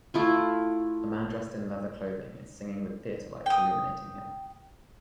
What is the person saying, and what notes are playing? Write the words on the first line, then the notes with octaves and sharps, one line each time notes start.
A man dressed in leather clothing is singing with theater lights illuminating him.
A3 E4 F4
G5 D#6